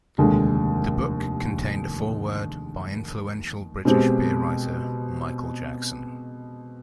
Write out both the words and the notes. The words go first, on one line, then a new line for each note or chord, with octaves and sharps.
The book contained a foreword by influential British beer writer Michael Jackson.
F1 D#2 D3 G#3
B2 G#3 C4 G4